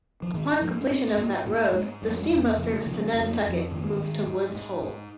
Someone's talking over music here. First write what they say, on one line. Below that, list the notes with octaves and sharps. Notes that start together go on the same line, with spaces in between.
Upon completion of that road, the steamboat service to Nantucket moved to Woods Hole.
F3
G#2 D#3
G#2 F3
C#4
G#2 C4
C4
G#2 A#3
G#2 A#3
G#2 G#3
F2 G3
G#3
F2 G3
C#3 F3
C#3 F3
F3
G3
F2
A#3
F2
F3
G#2 D#3
G#2
G#2
G#2
G#2